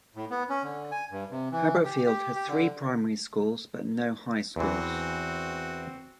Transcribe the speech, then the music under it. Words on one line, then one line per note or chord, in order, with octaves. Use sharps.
Haberfield has three primary schools but no high schools.
A2
B3
C#4
D3
G#5
G2
C3
E3
G4
G4
G4
D3
E2 E3 C4 F#4